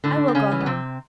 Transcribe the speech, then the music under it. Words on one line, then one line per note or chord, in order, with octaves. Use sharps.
"I will go home."
A2 D3 D4
C4
C#3 C#4
E3
B3
C3 C4